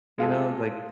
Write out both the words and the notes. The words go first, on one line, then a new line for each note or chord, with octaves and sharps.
you know, like
G#3 F4 G#4 A4